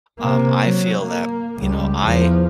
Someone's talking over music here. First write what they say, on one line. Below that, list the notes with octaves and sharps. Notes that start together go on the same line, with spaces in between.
Um, I feel that, you know, I
C3 A#3
F#3
A#3
C#2 G3
E2 F3